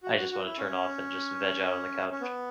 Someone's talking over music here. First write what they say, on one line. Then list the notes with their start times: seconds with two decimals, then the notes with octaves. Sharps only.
I just wanna turn off and just veg out on the couch.
0.03 F#4
0.17 F#4
0.31 F#4
0.45 E4
0.58 C#4
2.11 C#4
2.21 B3